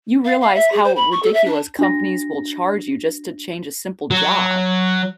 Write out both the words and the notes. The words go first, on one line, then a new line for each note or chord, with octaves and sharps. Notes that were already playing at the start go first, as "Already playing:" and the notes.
you realize how ridiculous companies will charge you just to change a simple job.
F5
F5
E5
G#4
C5
B5
C#6
A4
E5
D4
D4 F#4 A#6
F#3